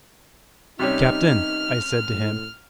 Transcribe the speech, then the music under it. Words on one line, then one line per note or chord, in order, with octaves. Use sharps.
"Captain!" I said to him.
C3 G3 C#4 D#4 F6
A2